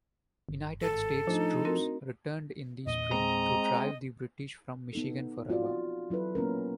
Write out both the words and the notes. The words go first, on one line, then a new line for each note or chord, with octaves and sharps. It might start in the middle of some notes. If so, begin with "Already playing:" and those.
United States troops returned in the spring to drive the British from Michigan forever.
G1
G#1 A4
F3 A3 D4 D#4
C4 F#4 A#4
E2 A#2 D4 D#5
G#3 C4 A#5
B3 D#4 A4
C4 F4 F#4 D5
F#3 E4 A4 B4
A#3 B3 C#4 A#4